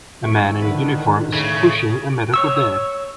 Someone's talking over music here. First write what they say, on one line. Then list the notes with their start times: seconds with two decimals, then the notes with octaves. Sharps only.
A man in uniform is pushing a medical bed.
0.23 G#1 E4 C#6
0.62 D3 D#3 B4 F#5
1.34 A2 C#3
2.34 C#5 C#6 E6